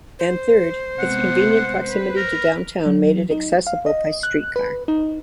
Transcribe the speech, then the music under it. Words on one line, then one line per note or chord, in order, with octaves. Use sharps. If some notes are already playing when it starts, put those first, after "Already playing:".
And third, its convenient proximity to downtown made it accessible by streetcar.
C5
C3 G#3 B3 F#5
B4
A#4
F#3
D#4
F5
D#5
F#6
B4
D#4